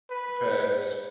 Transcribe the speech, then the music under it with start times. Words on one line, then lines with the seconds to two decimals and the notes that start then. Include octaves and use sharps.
the past
0.10 B4